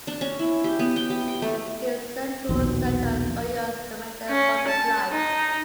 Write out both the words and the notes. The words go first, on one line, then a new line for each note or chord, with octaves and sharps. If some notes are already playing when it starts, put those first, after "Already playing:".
Gidzenko served as the Soyuz commander for the flight.
D4
C#4
E4
G4
B3
G5
G4
G5
A3
A#1 D#2 B2
C#4
A5
D#4